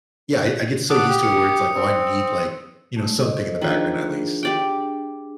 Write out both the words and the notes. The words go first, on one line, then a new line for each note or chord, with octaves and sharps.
Yeah. I I get so used to it where it's like, oh, I need, like, you know, something in the background at least.
F#5 A5 D6 D#6
G4
C#7
C4
G#3 A3
A4 C5 D#5
D#3 F3 D4 G#4
G4 D5 G5